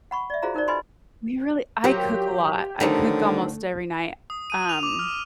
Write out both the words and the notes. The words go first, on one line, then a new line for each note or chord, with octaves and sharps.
We really I cook a lot. I cook almost every night. Um,
F#5 B5 C#6
D5 E5
F4 F#4 G#4 C5 F5 A#5
D#4 A#4 C5 D5
B4 D#5 G#5 B5 C6
F#3 F4 G4 A#4 C5
D3 D#3 F3 F#3 A3
D#6
D#7
F7
D6
F6